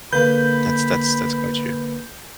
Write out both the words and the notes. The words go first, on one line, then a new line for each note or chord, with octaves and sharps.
That's that's that's quite true.
D3 A#3 B4 B5 G6